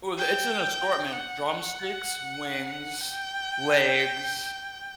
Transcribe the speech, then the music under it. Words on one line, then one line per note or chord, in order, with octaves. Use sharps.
Well, it's an assortment, drumsticks, wings, legs,
G5
F#5
G5